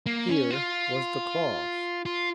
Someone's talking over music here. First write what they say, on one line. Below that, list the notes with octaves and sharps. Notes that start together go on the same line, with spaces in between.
Here was the clause.
A#3
C#4
F4
F4